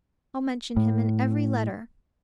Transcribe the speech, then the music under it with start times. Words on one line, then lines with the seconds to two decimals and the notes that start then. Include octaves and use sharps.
I'll mention him in every letter.'
0.77 A2